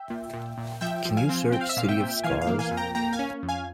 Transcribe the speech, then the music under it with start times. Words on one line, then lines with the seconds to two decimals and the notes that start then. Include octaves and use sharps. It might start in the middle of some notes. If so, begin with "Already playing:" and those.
Can you search City of Scars?
Already playing: E5 G5
0.10 A#2
0.33 A#2
0.58 A#2
0.81 F3 E5 G5
1.05 F3
1.17 F5 G#5
1.29 C4
1.52 C4 G5
1.61 F5
1.69 E5
1.77 A#2 F5
1.89 E5 G5
2.00 A#2
2.24 E3 F5 G#5
2.41 F5
2.47 A#3
2.59 F5 G#5
2.71 F2
2.77 G5 A#5
2.95 A#3 G5 A#5
3.13 F5 G#5
3.19 C#4
3.43 F2
3.48 F5 G#5